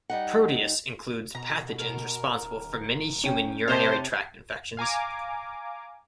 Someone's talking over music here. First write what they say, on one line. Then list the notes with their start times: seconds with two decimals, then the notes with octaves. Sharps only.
"Proteus" includes pathogens responsible for many human urinary tract infections.
0.10 G3 D#4 F#5
1.35 B2 A#5
1.79 A#4
2.42 D1
3.24 C#4 G5
3.68 C3 C5 C#5 D#5 A5
4.77 F5 G#5 A#5 D6